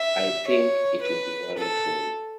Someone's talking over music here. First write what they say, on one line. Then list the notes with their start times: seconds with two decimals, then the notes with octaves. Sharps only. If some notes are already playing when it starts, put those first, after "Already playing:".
I think it would be wonderful.
Already playing: E5
0.47 C#5
1.01 B4
1.57 A4